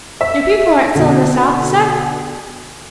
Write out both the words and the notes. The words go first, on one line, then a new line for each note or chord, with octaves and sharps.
"Your people aren't still in the South, you said?"
E5
B2 D3